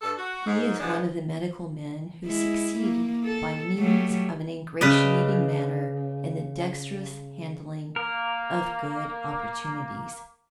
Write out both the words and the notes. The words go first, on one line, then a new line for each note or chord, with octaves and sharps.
He is one of the medical men who succeed by means of an ingratiating manner and the dexterous handling of good opportunities.
G2 A4
F#4
G#2
B2 F3 G#3 B3 D4
G#3 E4
A#3
A4
F#3 G3 A3
C#3 B4 D5 D#5
A#3 A#4